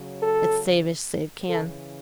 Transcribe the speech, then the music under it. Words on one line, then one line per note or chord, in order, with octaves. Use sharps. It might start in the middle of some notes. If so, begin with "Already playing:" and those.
It's save as save can.
Already playing: C#3 F#3
A4
C#3 E3 A4